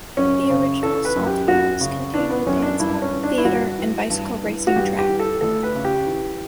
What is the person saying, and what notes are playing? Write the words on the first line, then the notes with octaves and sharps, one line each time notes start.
The original Salt Palace contained a dance hall, theater, and bicycle racing track.
F#2 C#4
C#3
E3 A4
B4
F#2
G4
F#2 F#4
C#3
E3 D4
B3
F#2 C#4
D4
G2 E4
C#4
E3
D4
E4
G2 F#4
E3
G2
E3
F#4
G2 G4
G4
E3
A4
D2 A4
B4
C#3
G4
E3